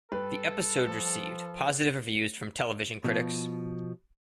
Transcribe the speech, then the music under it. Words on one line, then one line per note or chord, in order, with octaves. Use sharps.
The episode received positive reviews from television critics.
G2 A4 B4
F3
B2 F3